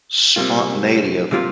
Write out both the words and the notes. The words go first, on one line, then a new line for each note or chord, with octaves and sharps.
spontaneity of it,
C3 G3 A#3 F4
C3 G3 A#3 F4